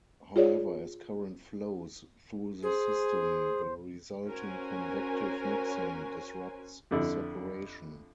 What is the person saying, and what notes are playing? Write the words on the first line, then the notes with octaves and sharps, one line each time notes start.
However, as current flows through the system, the resulting convective mixing disrupts separation.
F4 G#4 C#5 D5
G#4 C5
C#4 F#4 A#4 C5 G#5
F2 D3 E4